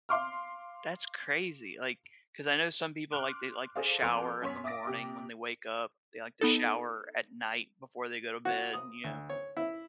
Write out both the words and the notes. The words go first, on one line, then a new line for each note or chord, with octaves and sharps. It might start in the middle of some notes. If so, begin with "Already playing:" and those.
That's crazy. Like 'cause I know some people, like, they like to shower in the morning when they wake up; they like to shower at night before they go to bed, you know?
F5 C6 D6 F6
C6 D6 F6 F#6 D7
G#4 A4 C5 D5 F5
F2 B3 A4 C6 D6 F7
F#2 C#5 C6 B6
E5 D6 D#6 A6 A#6 D7
C3 G4 D6
B3 D#4 A4
F#4
D#6
D2
C#5
E4